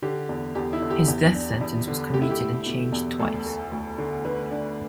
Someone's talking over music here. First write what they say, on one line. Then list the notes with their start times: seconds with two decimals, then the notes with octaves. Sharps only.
His death sentence was commuted and changed twice.
0.02 D3 G4
0.29 E2
0.55 E2 G4
0.73 E4
0.81 D3
0.90 G4
1.08 E2
1.34 D4
1.61 E2
1.87 D3
2.14 A3 G4
2.22 E4
2.31 G4
2.40 A3
2.66 B2
2.92 E2
3.19 D2 A4
3.46 A3
3.72 D2
3.98 D3
4.25 D3 B4
4.51 D4